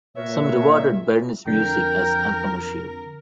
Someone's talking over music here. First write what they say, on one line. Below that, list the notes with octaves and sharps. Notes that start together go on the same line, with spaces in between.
Some regarded Berne's music as uncommercial.
A#2 A#4 B4 C#5 E5
F2 D3 A#4 G5